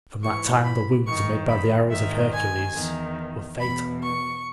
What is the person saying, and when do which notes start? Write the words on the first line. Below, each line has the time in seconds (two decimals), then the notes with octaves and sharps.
From that time the wounds made by the arrows of Hercules were fatal.
0.22 G#2 E3 C#6
0.63 B5
1.05 G2 D#3 C#6
1.48 B5
1.90 G#2 D#3 E5
2.33 G#5
2.74 E2 D#3
3.60 E2 B2 B5
4.02 C#6